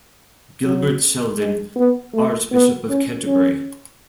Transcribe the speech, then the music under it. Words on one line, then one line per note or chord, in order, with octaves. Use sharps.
Gilbert Sheldon, Archbishop of Canterbury.
F#3
G#3
B3
A3
B3
C#4
C#4